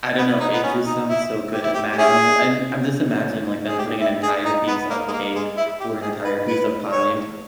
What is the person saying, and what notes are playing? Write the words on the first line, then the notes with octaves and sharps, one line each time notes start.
I don't know, it just sounds so good, imagine I'm I'm just imagining, like, them putting an entire piece of cake or an entire piece of pie into
B3
D#4
B3
C#4
D#4
E4
G4
E4
G4
G4
C#4 E4 G#4
G#4
G4
E4
G#4
D#4
B3
A#3
G#3
A#3
G#3
E4
G4
G#4
B4
B4
C#5